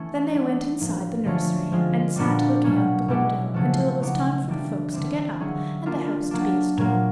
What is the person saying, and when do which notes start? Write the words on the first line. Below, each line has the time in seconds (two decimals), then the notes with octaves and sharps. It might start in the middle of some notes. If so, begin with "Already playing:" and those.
Then they went inside the nursery and sat looking out the window until it was time for the folks to get up and the house to be astir.
Already playing: E3 A3 C#4 E4
0.35 G3 B3 D4
0.81 A2 F3 A#3
1.25 D3 F3 A3 C#4 F4
1.72 F3 G#3 C4 F4
2.16 A#2 G3 A#3 D4 F#4
2.64 B2 F#3 A#3 C#4
3.08 B2 G#3 B3 E4 G4
3.54 C#3 F3 A3 C#4 F#4
4.01 F#3 B3 D#4 G4
4.48 E3 G3 A#3 D4 G4
4.93 D3 G3 C4 E4
5.40 F#3 A#3 C#4 E4 G#4
5.86 A#3 D4 F4
6.31 F#3 A#3 D4
6.77 A#2 F#3 A#3